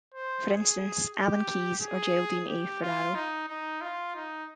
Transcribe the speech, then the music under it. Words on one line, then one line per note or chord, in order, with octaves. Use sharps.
For instance, Alan Keyes or Geraldine A. Ferraro.
C5
G#4
G4
G#4
G4
F4
D#4
D#4
F4
D#4